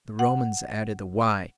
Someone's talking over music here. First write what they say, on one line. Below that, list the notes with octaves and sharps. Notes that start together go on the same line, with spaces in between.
The Romans added the y.
F#5